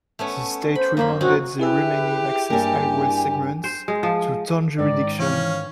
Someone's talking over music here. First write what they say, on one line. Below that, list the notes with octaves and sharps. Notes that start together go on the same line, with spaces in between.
The state remanded the remaining access highway segments to town jurisdiction.
A3 B3 C#4
C5 B5
F#2 A#3 C5 B5
C4 C#4 D#4 F#4
E4 G4 G#4 B4 E5
G2 A#3 G#5
C5
G#3
F3
G#2 D#3 D5
E3 C#4 F5